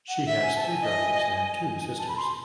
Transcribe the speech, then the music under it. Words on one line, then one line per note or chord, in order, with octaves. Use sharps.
She has three brothers and two sisters.
F#5
E5 F#5
G#5
A5
G#5
D#5
A5
B5
C6